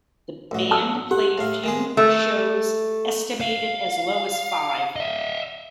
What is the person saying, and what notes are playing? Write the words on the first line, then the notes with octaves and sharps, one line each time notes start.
The band played few shows, estimated as low as five.
A1 F#3
A5 E6
G4 F#5
A2 F5
D#3 G#3 G#4
A3
F5
D#5 E5